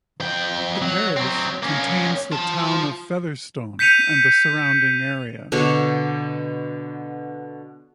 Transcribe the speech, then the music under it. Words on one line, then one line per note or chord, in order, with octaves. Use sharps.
The parish contains the town of Featherstone and the surrounding area.
F2 G5
F#3
F#3 C4
A#3 C#4
F4 A5
G6 B6 C#7 D#7 F7
B2 D3 D4 C#5